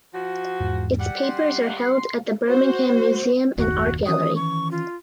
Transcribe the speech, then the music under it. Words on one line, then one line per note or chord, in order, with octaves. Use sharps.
Its papers are held at the Birmingham Museum and Art Gallery.
F3 F#4
E2 G#2
G3 F#5
C6
F#4 C5
F#1 D#2 A#2 F#4
D#3 E3 C#4 D#6
C#6
F4